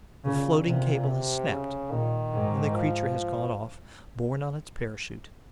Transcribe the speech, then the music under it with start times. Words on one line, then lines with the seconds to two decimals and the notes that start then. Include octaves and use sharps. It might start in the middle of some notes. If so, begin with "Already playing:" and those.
The floating cable has snapped and the creature has gone off, borne on its parachute.
0.24 A#2 C#3
0.66 C3
1.07 C3
1.49 C#3
1.91 A#2 D#3
2.32 G#2
2.73 F3